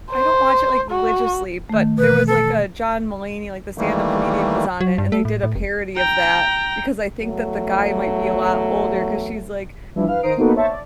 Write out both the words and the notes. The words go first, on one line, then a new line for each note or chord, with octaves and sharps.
I don't watch it like religiously, but there was, like, a John Mulaney, like the stand-up comedian was on it, and they did a parody of that. Because I think that the guy might be a lot older, 'cause she's like,
C5
F#4
D#3 A3
B2 E3 B4
A4
D#3 E3 G3 A3 A#3
F#3
G2
A3
A2
A2
F1
G5 A#5
E2 F#3 A3
E3 F3 G3 D4 E4
B4 F5 F6
D#3 C5 A#5 D#6 C7 D7
A#3 B3 D#4 F#4 A4 B4
C5 C#5 E5 A5 C#6 A6
D5